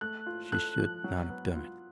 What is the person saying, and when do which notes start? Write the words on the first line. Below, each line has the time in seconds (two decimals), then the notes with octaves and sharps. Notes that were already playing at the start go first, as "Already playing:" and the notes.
She should not have done it.
0.01 A3 F#6
0.27 F4
0.52 A4 F#6
0.79 F3
1.04 F#3
1.30 B3
1.56 F4